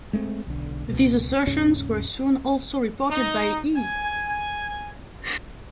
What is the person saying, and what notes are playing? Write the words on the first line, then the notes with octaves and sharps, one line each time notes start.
These assertions were soon also reported by E!
G#3 A3 B3 C4
B1 D3
C#2 B2
D#2 G#2 C#3 C#4
D#4
G#5